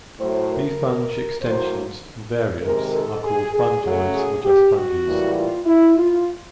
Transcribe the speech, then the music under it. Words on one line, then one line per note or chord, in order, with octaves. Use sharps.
Befunge-extensions and variants are called "Fungeoids" or just "Funges".
A2 F#3 A3 C5
A#4
A2 F#3 A#3 C5
C3 D#3 G#3 A#4
A4
G#4
G#4
C#3 F#3 A3
G#4
G4
F#4
A2 E3 G3 A#3
F4
E4
F4